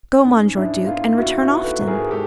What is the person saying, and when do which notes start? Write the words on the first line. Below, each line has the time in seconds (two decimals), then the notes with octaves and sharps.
Go, Monsieur Duke, and return often.
0.25 G#2 C#4 D#4
0.55 G#2 D4 E4
0.86 B3 D#4 F4
1.17 B3 E4 F#4
1.41 E4 F#4
1.48 B3
1.64 A4 B4
1.80 G#2
1.87 G#4 A#4
2.11 G#3 G4 A4